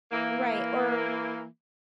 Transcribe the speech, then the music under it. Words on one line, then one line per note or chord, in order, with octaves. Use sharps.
Right, or
E3 A#3